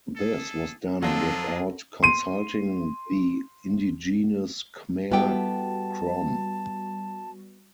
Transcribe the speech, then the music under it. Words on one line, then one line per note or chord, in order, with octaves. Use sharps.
This was done without consulting the indigenous Khmer-Krom.
G#4 A4
F2 F#3 C4 D4 F4 G#4 A4
C6 D#7
G3 B3 E4 F#4 G4 A4 G5 A5